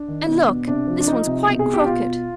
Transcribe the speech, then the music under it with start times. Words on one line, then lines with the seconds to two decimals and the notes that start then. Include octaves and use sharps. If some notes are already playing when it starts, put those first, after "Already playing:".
And look, this one is quite crooked!
Already playing: D4
0.08 D#3
0.28 B2
0.48 B2
0.68 C3 D4
0.87 F3
1.00 D4
1.07 F3 D#4
1.26 C3
1.47 B2
1.59 G#4
1.66 B2
1.73 G4
1.86 B2 F4
2.06 B2